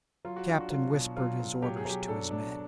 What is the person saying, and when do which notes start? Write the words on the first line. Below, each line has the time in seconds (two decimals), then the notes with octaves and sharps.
The captain whispered his orders to his men.
0.25 F#3 F4
0.36 F#4
0.48 D4 F4
0.60 F#4
0.70 F#3 F4
0.93 B2
1.17 F#3 F4
1.40 F#3
1.62 F#3 G4
1.77 G#4
1.85 F#3 G4
2.08 D4 A4
2.31 D4